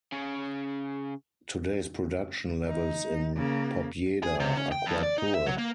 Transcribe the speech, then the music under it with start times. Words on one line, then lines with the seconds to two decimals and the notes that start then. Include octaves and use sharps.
Today’s production levels in Pobjeda are quite poor.
0.12 C#3 C#4
2.68 D#4
3.36 C#3 A#3
4.23 G#4
4.40 C3
4.57 C#4
4.72 G5
4.86 F2
5.03 D5
5.18 D#4
5.34 E5
5.47 F#3
5.58 A#3